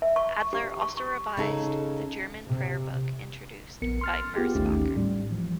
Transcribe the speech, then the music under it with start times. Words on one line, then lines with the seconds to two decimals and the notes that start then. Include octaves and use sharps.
Adler also revised the German prayer book introduced by Merzbacher.
0.02 E5
0.16 C#6
0.53 G4
0.82 C#6
0.97 C#6
1.37 C#3 D#4 A4
2.48 C3
3.82 A#1 B3 A#4 C#7
4.01 C6 F6 A6
4.36 B3 F4 G4 G#4
4.55 A1 D#2 A3 C#4 D#4 G4
4.96 A2 G3
5.31 E3 F3